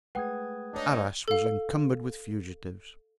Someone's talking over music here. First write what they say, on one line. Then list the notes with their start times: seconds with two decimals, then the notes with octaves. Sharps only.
Arras was encumbered with fugitives.
0.15 G#3 A3 G#4 B4 F#5 G5 D#6 G#6
0.73 D4 D#4 C#5 D#5
1.28 A4 F5